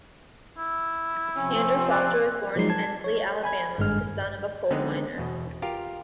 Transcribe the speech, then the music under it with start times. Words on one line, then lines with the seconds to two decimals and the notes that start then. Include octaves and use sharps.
Andrew Foster was born in Ensley, Alabama, the son of a coal miner.
0.58 E4
1.36 C3 F3 C4 C#4 E6
1.90 D5 F#6
2.56 F3 F#3 G#3 D#4 C7
2.70 A5 G#6
3.04 C#5
3.44 G#5 B5 G#6
3.78 G#1 G2 G#3 F6
4.71 D3 G#3 B3 C4 D#4
5.18 E2 B2
5.62 F4 G4 A#4 F5